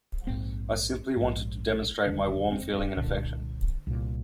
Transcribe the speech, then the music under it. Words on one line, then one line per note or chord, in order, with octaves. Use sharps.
I simply wanted to demonstrate my warm feeling and affection.
A#1 G#2 C4
A#1 G#2
F1 D#2 D3 D4
C4
C2 A#2 D3
C2 A#2